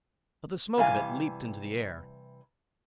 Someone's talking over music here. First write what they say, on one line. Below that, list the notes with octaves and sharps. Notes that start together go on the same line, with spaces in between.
But the smoke of it leaped into the air.
C3 E3 G3 F5 G#5